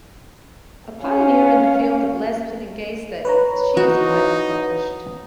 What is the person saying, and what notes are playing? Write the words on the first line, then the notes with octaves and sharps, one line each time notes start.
A pioneer in the field of lesbian and gay studies, she is widely published.
C#4 F5
B4 C#5 A#5
E3 D#4 F#4